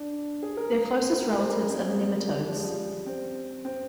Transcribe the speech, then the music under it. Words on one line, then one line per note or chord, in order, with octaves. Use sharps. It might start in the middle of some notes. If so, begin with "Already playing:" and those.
Their closest relatives are the nematodes.
Already playing: D4
G#4
A#4
C5
A#4
C5
A#4
G#4
C4
A#3
G#3
G3
F3
G#3
G3
C4
C4